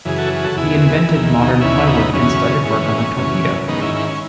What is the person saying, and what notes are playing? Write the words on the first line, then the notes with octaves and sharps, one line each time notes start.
He invented modern plywood and started work on the torpedo.
F#2 C#3 E3 G#4
F#4 A4
G#4
F#4 A4
E2 B2 E4 G#4
D#2 D#3
D#4
D#2 C#3 E3 C#4 E4
B3 D#4
F#2 C#3 E3 C#4
G#2 E3
F#2 C#3 E3
G#2 D#3 B3 D#4
C#4 E4
C#4 E4
C#4